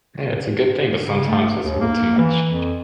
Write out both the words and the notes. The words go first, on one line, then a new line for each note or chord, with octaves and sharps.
Yeah, it's a good thing, but sometimes it's a little too much.
C#3
A3
D#2
A#3
E3
F2